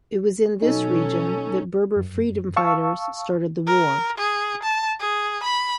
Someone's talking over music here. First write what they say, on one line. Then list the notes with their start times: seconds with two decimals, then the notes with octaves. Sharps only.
It was in this region that Berber freedom fighters started the war.
0.62 B2 F#3 C#4 D#4 A4
1.96 F#2
2.57 F5 A5 C#6 E6
3.67 A#4
4.18 G#4
4.63 A5
5.00 G#4
5.43 B5